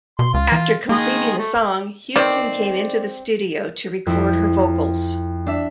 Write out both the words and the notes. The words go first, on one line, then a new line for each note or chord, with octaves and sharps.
After completing the song, Houston came into the studio to record her vocals.
B2 C6
C#2 F4
E3
D#3 G#3 A#3 D#5
A3
D#3 C4 D5
F2 E4
D4 E5